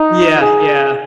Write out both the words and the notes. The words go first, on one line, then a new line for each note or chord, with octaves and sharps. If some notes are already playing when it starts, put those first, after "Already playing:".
Yeah, yeah.
Already playing: D#4
G#4